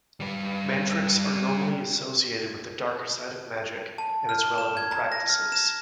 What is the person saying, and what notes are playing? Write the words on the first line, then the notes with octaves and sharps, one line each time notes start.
Mantriks are normally associated with the darker side of magic and its relevant practices.
G3 B4
A5
F6
E7
G#6
A#5
A#6
F6
E7